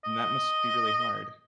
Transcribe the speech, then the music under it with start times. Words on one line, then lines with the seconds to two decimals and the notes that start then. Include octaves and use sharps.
and that must be really hard.
0.04 D#5